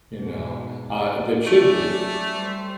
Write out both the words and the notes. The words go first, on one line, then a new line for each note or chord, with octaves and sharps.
You know, uh, that should be.
G#2 B2 G#3
D5
F#3 A3 C#4 D5
G3 C5